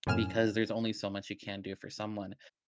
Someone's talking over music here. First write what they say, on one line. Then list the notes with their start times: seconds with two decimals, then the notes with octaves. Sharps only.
because there's only so much you can do for someone,
0.07 F#2 A2 G#5 F6 E7